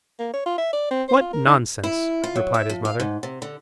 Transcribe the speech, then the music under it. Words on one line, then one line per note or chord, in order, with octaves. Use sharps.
"What nonsense," replied his mother.
A#3
C#5
F4
E5
D5
C4
C5
F4
A#4
D#4
E4
F4
F#3
E5
F3
F5
G#2
C3
D3